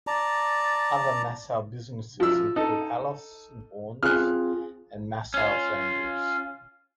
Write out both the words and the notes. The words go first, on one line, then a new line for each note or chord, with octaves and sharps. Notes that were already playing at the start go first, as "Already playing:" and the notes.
Other Massow businesses include "Halos and Horns" and "Massows Angels".
D5 A5 A#5
F3 E6
D#4 A4
C4 F4 G#4 F6 F#6
C#4 F4